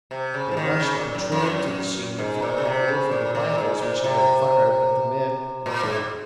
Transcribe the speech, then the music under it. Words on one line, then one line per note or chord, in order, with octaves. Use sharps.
They rushed a patrol to the scene and found both of the rifles which had been fired, but the men were gone.
C3
C#3
F3
D#2 D#3
C#3
A#2
F#2
F2
F#2
G#2
A#2
C#3
C3
C#3
A#2
A#2
G#2
A#2
C3
A#2
G#2